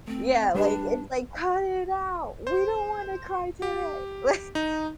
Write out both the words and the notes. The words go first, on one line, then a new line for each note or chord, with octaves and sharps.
Yeah, like, it's like, "Cut it out, we don't want to cry today!" Li
A3 C4
G3 D4 G4 B4
C5
G4
D#4